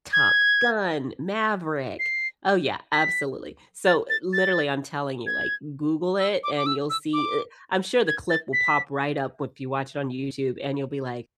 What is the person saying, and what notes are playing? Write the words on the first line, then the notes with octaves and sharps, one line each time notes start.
Top Gun, Maverick. Oh yeah, absolutely. So literally I'm telling you, like, Google it and you'll see eh, I'm sure the clip will pop right up if you watch it on YouTube and you'll be like,
G#6
C7
B6
A6
A6
A6
G#6
E6
D6
D6
E6
E6
D6
G#6
A6
B6